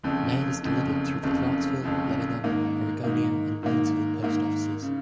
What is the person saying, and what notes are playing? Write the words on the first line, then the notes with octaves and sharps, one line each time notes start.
Mail is delivered through the Clarksville, Lebanon, Oregonia and Waynesville post offices.
F#1 F2 C#3
F#1 F2 C#3
F#1 F2 C#3
F#1 F2 C#3
G#2 D#3 A#3
G#2 D#3 A#3
G#2 D#3 A#3
G#2 D#3 A#3
C#3